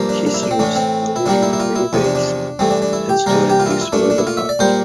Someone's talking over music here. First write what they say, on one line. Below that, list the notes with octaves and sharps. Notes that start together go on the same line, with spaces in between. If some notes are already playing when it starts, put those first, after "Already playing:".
He serves Valeria in many ways, and that story takes over the plot.
Already playing: G2 F3 A#3
D4
D4
E4
D4
C4
A2 E3 A3 D4
C4
E4
A#2 G3 A#3 D4
E4
E4
F4
E4
E2 C3 F3
D4
D4
G2 E3 A3 C4
D4
D4
E4
G4
C3 E3 G3 A#3 A#4
G4
F4
E4
F4
E4
A#2 A3 D4
D4
E4
F4
E5
D5
A#2 G3 A#3 C5